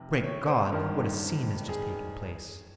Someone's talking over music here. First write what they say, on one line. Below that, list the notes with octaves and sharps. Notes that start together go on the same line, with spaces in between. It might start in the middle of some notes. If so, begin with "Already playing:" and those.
Great God! what a scene has just taken place!
Already playing: F1 C3
C#5
C5
G#1 G2 D#3 A#4
G#4